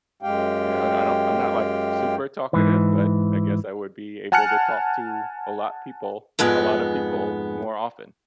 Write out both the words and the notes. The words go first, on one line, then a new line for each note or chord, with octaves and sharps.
you know, I don I don't I'm not, like, super talkative, but I guess I would be able to talk to a lot people a lot of people more often.
F#2 G#3 G4 F5 G5
G#2 E3
F#5 G#5 A5 F6 F#6 C#7
F2 G#2 G#3 B3